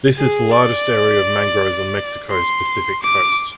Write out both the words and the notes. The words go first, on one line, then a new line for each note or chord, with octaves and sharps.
This is the largest area of mangroves on Mexico's Pacific coast.
G#4
D5
C6
D6